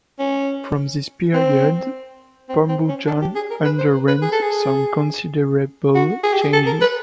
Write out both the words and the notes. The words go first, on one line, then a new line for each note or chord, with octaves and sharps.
From this period Pambujan underwent some considerable changes.
C#4
C4
C4
C4
C#4
D4
G4
G#4
A#4
B4
C5
B4
G#4
A4
G#4
F#4
G#4
G4
G#4
A4
A#4
B4